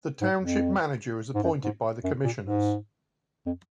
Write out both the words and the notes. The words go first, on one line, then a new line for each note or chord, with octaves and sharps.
The Township Manager is appointed by the Commissioners.
G#2
F2
G#2
F#2
G#2
F#2
A#2
G#2
F2